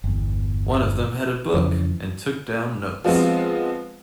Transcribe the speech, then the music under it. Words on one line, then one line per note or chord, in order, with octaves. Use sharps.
One of them had a book, and took down notes.
G1 E2
F2 C#3 E3
F3 G#3 B3 C4